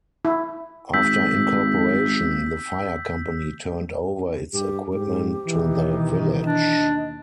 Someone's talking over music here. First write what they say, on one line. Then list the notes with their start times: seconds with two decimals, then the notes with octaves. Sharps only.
After incorporation, the fire company turned over its equipment to the village.
0.25 E4
0.94 G#1 E6 G6 B6
4.53 G2 G4
4.93 G#2 G4
5.46 B2 D#3 E3
6.44 D4 D#5
6.79 D#2